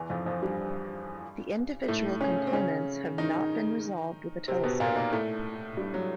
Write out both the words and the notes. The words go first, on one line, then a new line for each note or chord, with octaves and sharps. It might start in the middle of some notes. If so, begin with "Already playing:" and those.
The individual components have not been resolved with a telescope.
Already playing: E2 E3
F2 F3
F2 F3
G2 G3
A2 A3
C#3 C#4
C4
C#3 C#4
D#3 D#4
C3 C4
B2 B3
A#2 A#3
A#2 A#3
A2 A3
G2 G3
F#3